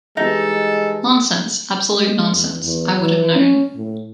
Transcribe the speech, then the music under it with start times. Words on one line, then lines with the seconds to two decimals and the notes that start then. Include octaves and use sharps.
Nonsense, absolute nonsense: I would have known.
0.17 E3 G3 G#3 D#4 A4 B4
1.96 G#3
2.35 E2
2.64 E2
3.00 E3
3.35 C#4
3.76 A2